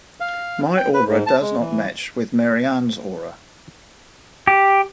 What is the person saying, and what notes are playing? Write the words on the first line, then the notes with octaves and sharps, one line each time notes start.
My aura does not match with Marianne's aura.
F5
G5
B4
G#2
A5
G#3
E3
G4